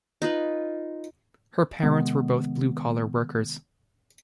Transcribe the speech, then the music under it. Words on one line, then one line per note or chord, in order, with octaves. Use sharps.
Her parents were both blue collar workers.
D#4 F4 B4
C3 D#3 G#3 B3